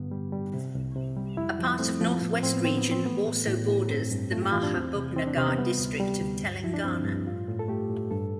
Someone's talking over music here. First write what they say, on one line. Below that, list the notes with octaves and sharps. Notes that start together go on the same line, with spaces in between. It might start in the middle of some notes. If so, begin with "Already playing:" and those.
A part of north west region also borders the Mahabubnagar district of Telangana.
Already playing: G2 D3 B3
G3
G3
C3
C2
C3
G3
F2 E4
F3
A3 C4
F3
A2 B3
C4
A2 C4
B3
A2 C4
B3
E3
C4
A3 B3
A2
A2
A2
G2 C4
G2
A3 F4
G4
E3 F4
D4
E2 C4
C3
E3 C4
D4
C3 C4
B3
G3 B3
D2
G3
D2
G2
F3 E4
D4
G2 C4
G2
A2 F4
A2
A4
A3 G4
A2
G2 A4